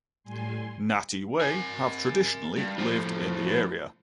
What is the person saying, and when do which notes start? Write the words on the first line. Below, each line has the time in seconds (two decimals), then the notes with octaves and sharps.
Ngati Wai have traditionally lived in the area.
0.24 A2 G3 G#5 C6
1.41 A#4 G#5
2.58 G2
2.79 A2 F3